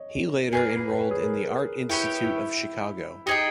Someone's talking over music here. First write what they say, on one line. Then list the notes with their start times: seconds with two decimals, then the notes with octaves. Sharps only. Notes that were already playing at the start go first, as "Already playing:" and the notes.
He later enrolled in the Art Institute of Chicago.
Already playing: C#5 D#5
0.49 A#4
0.53 A#3 C#4 G#4 B4
0.76 B4
0.90 B4
0.99 C#5
1.11 G#4
1.22 A#4
1.89 B3 E4 G4 C#5 G5
2.23 E4
3.26 D#4 G4 G#4 D#5 G5